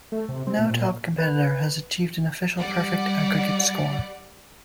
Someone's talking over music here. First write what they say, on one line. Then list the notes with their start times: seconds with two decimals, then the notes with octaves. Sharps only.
No top competitor has achieved an official perfect aggregate score.
0.12 A3
0.29 C3
0.47 C4
0.59 A#2
0.70 A#2
1.18 B4
2.59 G3 D5 F#5